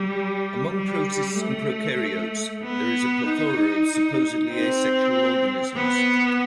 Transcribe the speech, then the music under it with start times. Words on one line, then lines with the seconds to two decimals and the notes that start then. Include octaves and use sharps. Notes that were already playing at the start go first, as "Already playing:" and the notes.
Among protists and prokaryotes there is a plethora of supposedly asexual organisms.
Already playing: G3
0.76 G3
1.38 A3
2.63 B3
3.26 D#4
4.51 C4
5.76 B3